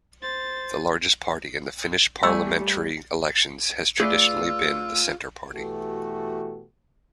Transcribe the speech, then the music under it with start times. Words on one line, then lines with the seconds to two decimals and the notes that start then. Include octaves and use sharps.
The largest party in the Finnish parliamentary elections has traditionally been the Centre Party.
0.22 C5 A6
2.23 G3 A3 G#5 E6
4.00 A3 F4 G#4 B4 D5 E6
5.53 B2 E3 A3 F#4 G4 A4